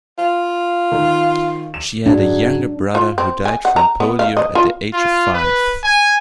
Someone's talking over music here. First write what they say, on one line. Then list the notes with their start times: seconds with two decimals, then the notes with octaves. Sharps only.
She had a younger brother who died from polio at the age of five.
0.18 F4
0.92 D#3
1.74 E7
2.06 G#2 F#3 D4
2.95 F4
3.18 C4
3.45 G#5
3.65 F#5
3.76 A#5
4.00 B3
4.19 F5
4.37 D#5
4.55 F4
4.93 F4
5.34 B4
5.83 G#5